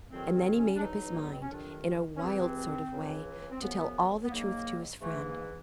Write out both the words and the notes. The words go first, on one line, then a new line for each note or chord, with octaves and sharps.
And then he made up his mind, in a wild sort of way, to tell all the truth to his friend.
F2 C3 D#3 F#3 C4
C4
C#4
D4
E2 B2 F#3 D#4
A#3
B3
C4
C#4
F2 C3 D#3 F#3 D4
C#4
C#2 C3 E3 C4
C#2 C#3 E3
C4
F#2 C#3 F3 B3
B3
G#2 D#3 F#3 A#3
G#2 E3 A3
A#3